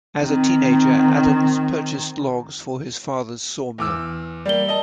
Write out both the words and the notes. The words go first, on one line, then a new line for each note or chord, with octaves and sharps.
As a teenager Adams purchased logs for his father's sawmill.
D#3 C4
E2 D6 E6
G3 A#3 D5 G7
D#5 A5